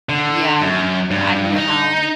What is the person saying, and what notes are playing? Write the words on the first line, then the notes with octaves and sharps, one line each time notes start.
Yeah m I don't know how
D3
F#2
G2
D#4